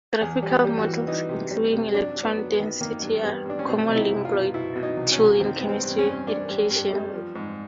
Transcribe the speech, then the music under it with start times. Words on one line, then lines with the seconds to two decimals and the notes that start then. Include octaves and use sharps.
Graphical models, including electron density are a commonly employed tool in chemistry education.
0.21 E2 G#4
0.43 G3
0.50 G4
0.64 G3
0.79 F#4
0.86 E3
1.07 E3 D#4
1.29 C3
1.51 G3
1.73 C3
1.94 F#3 D4
2.16 F#3
2.23 B3
2.37 F#3
2.52 B3
2.60 D#3
2.81 D#3 A#3
3.02 G2
3.23 G2 B3
3.46 G2 D4
3.59 C#4
3.67 B2 C4
3.88 C2 D#4
3.96 E4
4.10 C2
4.25 F4
4.33 B2
4.54 B2 E4
4.76 B2
4.83 D#4
4.97 C2
5.12 C#4
5.18 C2
5.40 D#3 C4
5.59 G2 B3
5.69 C4
5.83 G2
5.99 C#4
6.05 G2
6.27 G3 D4
6.49 G2
6.71 G2
6.92 G3
7.14 F3
7.35 G#2